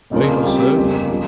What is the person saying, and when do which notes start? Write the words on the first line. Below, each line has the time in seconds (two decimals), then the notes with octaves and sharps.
"Wait or serve?"
0.10 F1 F2 C#3 F3 A#3
0.43 C3 G3 C4 G4
0.77 G1 F2 C#3 F3 A#3
1.10 C#3 F3